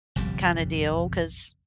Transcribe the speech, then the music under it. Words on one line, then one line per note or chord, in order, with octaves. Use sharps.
kinda deal 'cause
F#1 B1 F2 G3